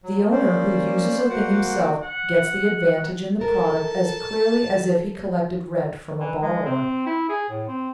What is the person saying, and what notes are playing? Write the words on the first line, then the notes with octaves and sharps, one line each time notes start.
The owner who uses a thing himself gets the advantage in the product as clearly as if he collected rent from a borrower.
F#3
A#3 C#4 C5 D5
A#3 F#4 C5 F#5 D6
F#5
A4 A#4 A5
E3
G#3
C4
E4
G#4
A2
C4